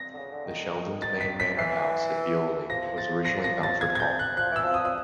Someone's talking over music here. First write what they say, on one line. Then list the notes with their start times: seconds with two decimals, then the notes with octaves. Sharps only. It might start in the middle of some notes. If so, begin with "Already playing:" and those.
The Sheldons' main manor house at Beoley was originally Balford Hall.
Already playing: A#6
0.14 D3
0.18 C#3
0.32 D3
0.46 D#3
1.02 A6
1.21 B6
1.40 B6
1.58 E3 C7
2.70 F3 A#6
2.98 A6
3.25 A#6
3.44 A#6
3.63 A6
3.81 G#6
3.95 G#6
4.00 G6
4.19 F#6
4.37 F3 F#6
4.51 E3 E6
4.65 F3
4.74 D#6
4.79 F3
4.85 D#6